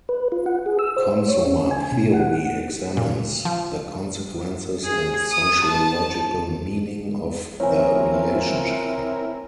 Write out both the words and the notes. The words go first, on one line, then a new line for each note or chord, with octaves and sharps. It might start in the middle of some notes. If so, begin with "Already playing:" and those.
Consumer theory examines the consequences and sociological meaning of the relationship.
B4
F4
F#5
G#4
E6
C5
C#5
C#4
G#5
B2
F#5
A#2
F3
G#4
D#6
A5
F3 C4 E4 A#4 C#5 G#5